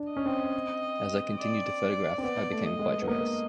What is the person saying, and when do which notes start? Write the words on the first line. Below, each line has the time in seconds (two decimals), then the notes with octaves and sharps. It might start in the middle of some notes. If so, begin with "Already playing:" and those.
As I continued to photograph I became quite joyous.
Already playing: D4
0.12 C#4 D#5
0.26 C4
1.39 D5
2.18 C4
2.23 B3 D5
2.52 A3
2.66 D#5
2.79 G#3
3.02 B3
3.07 A#3 D#5